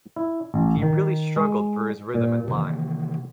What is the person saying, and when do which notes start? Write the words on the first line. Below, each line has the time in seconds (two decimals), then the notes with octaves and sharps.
He really struggled for his rhythm and line.
0.16 E4
0.54 A1
0.82 D#3
1.36 G#3
2.14 A#2
2.48 C3 D#3 E3 A#3